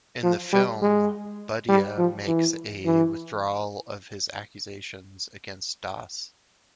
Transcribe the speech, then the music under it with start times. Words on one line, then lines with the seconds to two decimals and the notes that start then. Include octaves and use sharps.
In the film, Budhia makes a withdrawal of his accusations against Das.
0.23 F3
0.53 G3
0.82 G#3
1.69 G3
1.98 F3
2.27 E3
2.85 E3